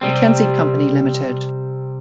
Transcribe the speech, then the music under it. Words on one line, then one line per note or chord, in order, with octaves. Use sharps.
McKenzie Company, Limited.
C3 G3 C4